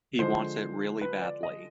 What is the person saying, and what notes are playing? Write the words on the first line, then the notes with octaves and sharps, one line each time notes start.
He wants in really badly.
D3 F3 G#3 C5
B4
D5
D#5